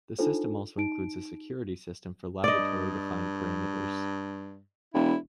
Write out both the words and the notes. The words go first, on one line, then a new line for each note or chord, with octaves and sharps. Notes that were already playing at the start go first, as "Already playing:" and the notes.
The system also includes a security system for laboratory-defined parameters.
D4 D#4 F4 A4 C5
D#4 D7
G2 D5 D#5
E1 E4